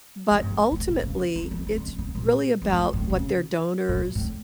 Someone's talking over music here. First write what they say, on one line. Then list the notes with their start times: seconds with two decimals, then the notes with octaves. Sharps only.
but ultimately it's really about what their donors
0.31 A2
0.40 G2
0.51 F2
0.72 A2
0.88 A#2
1.03 C#3
1.36 E3
1.51 E3
1.67 D3
1.78 D3
1.88 E3
1.99 D3
2.15 A#2
2.62 F2
2.73 A2
2.94 A2
3.10 C#3
3.89 A#2
4.15 A2